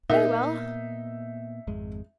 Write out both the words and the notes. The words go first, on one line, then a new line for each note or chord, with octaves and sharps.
'Very well.
A#2 A#3 B3 D#4 A#4 E5
G#1 F2 G#3